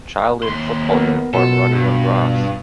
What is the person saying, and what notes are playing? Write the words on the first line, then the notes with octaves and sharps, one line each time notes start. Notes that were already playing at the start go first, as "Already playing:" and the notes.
Child in football uniform running on grass.
D#2 C6
B3 A#4
B2 B3 F4 A4
G2